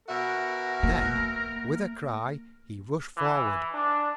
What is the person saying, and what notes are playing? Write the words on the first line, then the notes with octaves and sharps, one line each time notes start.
Then, with a cry, he rushed forward.
B2 F#4 A#4 E5
A#3
E3
D4